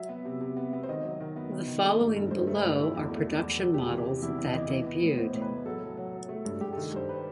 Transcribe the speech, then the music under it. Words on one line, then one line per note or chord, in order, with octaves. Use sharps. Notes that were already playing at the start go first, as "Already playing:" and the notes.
The following below are production models that debuted.
Already playing: F#3 E5
B3
C3
C3
B3
B3
C5
D#3 D#5
F#3
D#3
B3
D#3
D#3
A3
G2
G2
G2 C5
A3
B4
G2
D#3 E4
E2
A3
A3
E2
E2
E2 G4
E3
G4
C3
E2 E4
E3
D#5
E3
E3
B3
A2
B3 C5
A2
B4
A2
F#3 A4
F#3
F#3
F#3
A3
G2
G2 G4
D#3 A4
G2 C5
B4